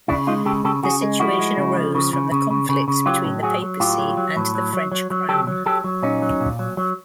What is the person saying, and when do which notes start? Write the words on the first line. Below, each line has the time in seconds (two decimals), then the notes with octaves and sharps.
The situation arose from the conflict between the papacy and the French crown.
0.08 C#3 D4 E4
0.27 G#3 D#4 F4
0.45 C#3 G4 A4
0.64 C#3 G4 A4
0.83 C#3 F#4 G#4
1.02 G#3
1.20 F3 E4 F#4
1.39 G#3
1.57 C#3
1.76 F3
1.95 C#3
2.13 C#3
2.32 C#3
2.50 C#3
2.69 C#3
2.88 C#3
3.06 F#3 F4 G4
3.25 A2
3.43 F#3 F#4 G#4
3.62 F#3
3.80 A2 F4 G4
3.99 F#3
4.17 F#3
4.37 A2
4.55 F#3
4.73 F#3
4.92 F#3
5.10 F#3
5.29 F#3 G4 A4
5.47 F#3
5.66 F#3 G4 A4
5.84 F#3
6.03 A#2 C#4 D#4
6.22 F#3
6.40 A#2
6.59 F#3
6.77 F#3